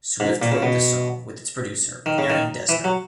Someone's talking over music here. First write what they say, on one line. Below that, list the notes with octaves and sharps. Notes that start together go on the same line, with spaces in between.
Swift wrote the song with its producer Aaron Dessner.
G#2
A#2
C#3
B2
D#3
C#3
D#3
E3
F#3